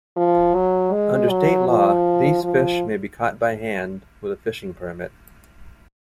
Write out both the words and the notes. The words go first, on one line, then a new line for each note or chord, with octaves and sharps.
Under state law, these fish may be caught by hand with a fishing permit.
F3
F#3
G#3
F#3
F3
F3